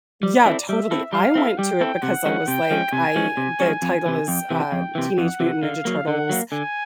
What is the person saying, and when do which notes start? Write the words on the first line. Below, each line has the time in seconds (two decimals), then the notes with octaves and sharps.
Yeah, totally. I went to it because I was like, I the title is, uh, Teenage Mutant Ninja Turtles
0.23 G3 D5
0.46 C4 E4 A4
0.69 G3 E5
0.91 C4 E4 A4
1.13 G3 F5
1.35 C4 E4 A4
1.58 G3 G5
1.81 C4 E4 A4
2.03 C3 F#5
2.25 F3 G#3 C#4
2.48 C3 G5
2.71 F3 G#3 C#4
2.93 C3 G#5
3.16 F3 G#3 C#4
3.37 C3
3.60 F3 G#3 C#4
3.82 F2
4.06 C3 E3
4.28 F2 G5
4.50 C3 E3
4.72 F2
4.95 C3 E3
5.18 F2 F#5
5.40 C3 E3
5.62 D3 F5
5.85 F#3 A#3
6.07 D3 F#5
6.30 F#3 A#3
6.52 D3 G#5